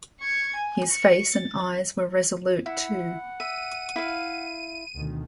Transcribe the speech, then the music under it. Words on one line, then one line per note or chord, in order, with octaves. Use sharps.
His face and eyes were resolute, too.
C#6 G#6
G#5
C#6
A6
E4 F#5
E5 D#7
E4 F5
D2 B2 D#3